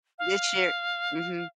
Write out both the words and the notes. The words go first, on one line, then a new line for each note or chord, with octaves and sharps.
this year mhm.
F5